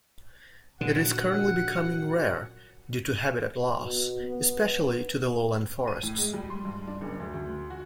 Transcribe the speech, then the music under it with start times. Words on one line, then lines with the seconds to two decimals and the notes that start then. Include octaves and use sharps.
It is currently becoming rare due to habitat loss, especially to the lowland forests.
0.81 F#2 A#2 D3 F#5
3.78 B2
4.23 B3
5.88 D#7
6.03 A2
6.18 G#3
6.33 G3
6.50 C6
6.65 G2
6.87 D4
7.01 F#1
7.20 D2
7.34 D2
7.70 F#4